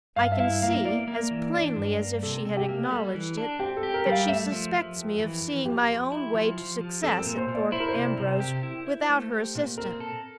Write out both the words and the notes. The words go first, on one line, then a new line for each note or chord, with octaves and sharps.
I can see, as plainly as if she had acknowledged it, that she suspects me of seeing my own way to success at Thorpe Ambrose without her assistance.
G2 F5
E5
E4 F5
A#3 F5
A#3 D5
A#3
E3
D4 D5
G2
A#3
C3 A4
C3
G4
A#3
G3 A4
E3
D4
C4 G4
A4
G4
A#4
G3
F5
A3 E5
F3
F3
F2
E3
F2
F3 G4
F3
E4
F3
F3
F3
C4 A4
A#4
A#2
C5
A#2
D5
E4 C5
A#4
C5
C3
C3
G4
E4
E4
A3
G4
A#2
C4 A#4
A4